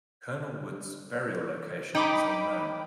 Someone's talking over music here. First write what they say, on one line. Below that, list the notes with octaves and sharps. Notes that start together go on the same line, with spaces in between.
Colonel Wood's burial location is unknown.
D#4 G5 B5 D6